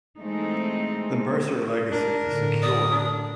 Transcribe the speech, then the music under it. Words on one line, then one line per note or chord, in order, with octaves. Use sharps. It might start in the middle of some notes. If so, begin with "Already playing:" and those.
The Mercer legacy is secure.
E3 G#3 A3 C4 D#4
D4 A#4
A2 D3
D5 D#6
D4